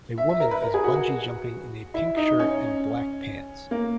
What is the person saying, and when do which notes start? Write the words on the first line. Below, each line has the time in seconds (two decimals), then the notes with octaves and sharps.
A woman is bungee jumping in a pink shirt and black pants.
0.18 E5
0.29 E5
0.40 A#4
0.51 B4
0.62 A#4
0.74 G#4
0.84 F#4
0.95 F#4
1.94 E4
2.17 D#4
2.39 C#4
3.71 A#3